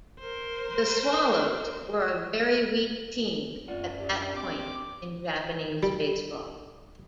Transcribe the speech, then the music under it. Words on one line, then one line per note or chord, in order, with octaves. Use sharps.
The Swallows were a very weak team at that point in Japanese baseball.
A#4 C5
F#2 F4 D5 F#5
G4 B4
C4 D6
G3